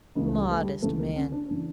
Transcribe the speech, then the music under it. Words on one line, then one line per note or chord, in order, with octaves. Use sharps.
'Modest man!
C#2 C#3 E3 A#3
A3
G3
A3
G3
C#2 C#3 E3 A3
A#3
C#4
D4
C#3 E3 D4